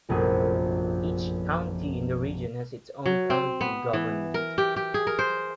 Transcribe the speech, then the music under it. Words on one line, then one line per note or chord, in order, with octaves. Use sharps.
Each county in the region has its own county government.
F1 A#1 F#2 G#4
F#3
C4
B3
E3
A#4
G4
G4
G#4
A#4
C5